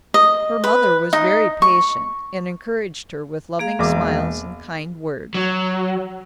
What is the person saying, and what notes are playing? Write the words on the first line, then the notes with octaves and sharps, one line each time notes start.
Her mother was very patient and encouraged her with loving smiles and kind words.
D#5
B4
D#4
C#6
A#3 G#4 F5
E1 D6
F#3